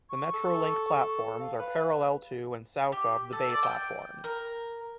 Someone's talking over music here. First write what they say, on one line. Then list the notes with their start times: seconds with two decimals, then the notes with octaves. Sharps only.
The Metrolink platforms are parallel to, and south of the bay platforms.
0.10 C#6
0.34 A4
1.40 F5
1.59 B4 F5
2.92 G4
3.33 A4
3.50 D5
3.63 G5
4.24 A#4